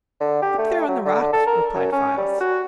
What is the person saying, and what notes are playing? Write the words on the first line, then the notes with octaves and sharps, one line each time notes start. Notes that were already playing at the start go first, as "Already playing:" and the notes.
"Up there on the rocks," replied Files.
D3
G4
A3
F#3
D3
D3
A4
A#4
F#2
C#4
G3
F#4